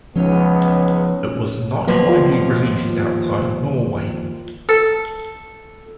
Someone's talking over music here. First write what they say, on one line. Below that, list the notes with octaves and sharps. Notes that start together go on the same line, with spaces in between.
It was not widely released outside of Norway.
C#2 F3 F#3 B3 C#4 D#4
D#2 F3 F#3 B3
F4
A4